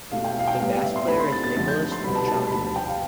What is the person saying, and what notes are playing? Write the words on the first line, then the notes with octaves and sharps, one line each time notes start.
The bass player is Nicolas Jouannaut.
B2 A3 E4 F5
G5
F5
G5
A2 G3 B3 F5
D5
E5
C6
D3 A3 C4 E4 B5
C6
A6
A6
F2 D3 A3 A6
G6
C6
C2 B2 B3 B5
A5
A5
A5
B5
D2 C3 F3 A5
G5
F5